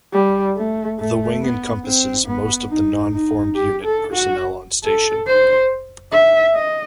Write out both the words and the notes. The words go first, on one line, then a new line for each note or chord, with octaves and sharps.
The wing encompasses most of the non-formed unit personnel on station.
G3
A3
A3
B3
C4
B3
D#4
D#4
G4
A4
F#4
A4
C5
E5
D#5